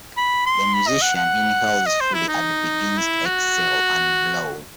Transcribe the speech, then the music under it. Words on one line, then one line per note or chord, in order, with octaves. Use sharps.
The musician inhales fully and begins to exhale and blow.
B5
C6
B5
D#5
F#5
F#5
D#5
C5
E4
D#4
E4
F#4